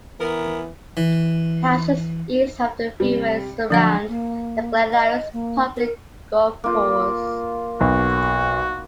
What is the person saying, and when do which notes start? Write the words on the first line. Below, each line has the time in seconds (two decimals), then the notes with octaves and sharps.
Houses east of the freeway surround the Glen Iris Public Golf Course.
0.20 E3 B3 A#4
0.97 E3
3.00 C3 G3
3.70 D3 F3 F#3 D4 F#5
4.08 A#3
4.93 D#5
5.33 A#3
5.77 A#4
6.64 A#3 F4
7.81 B1 F#4